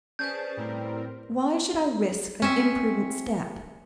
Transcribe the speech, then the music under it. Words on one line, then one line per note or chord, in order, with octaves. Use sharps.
Why should I risk an imprudent step?
C#4 G#4 B4 C5 D5 A5 G6
A2 G3 C4 A#4
C4 C#4 E5